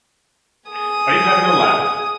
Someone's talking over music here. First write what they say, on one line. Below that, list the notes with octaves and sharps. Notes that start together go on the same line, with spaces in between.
Are you having a laugh?
G#4 D#6